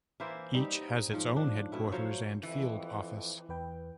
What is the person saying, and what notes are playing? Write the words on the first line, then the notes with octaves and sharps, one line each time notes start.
Each has its own headquarters and field office.
E3 A#3 E4 C5
G3 C4 D#4 G4
G#2 F3
D4
B2 A3 E4
F3 F#3 C5 C#5
F2 E3
E2 B4 G5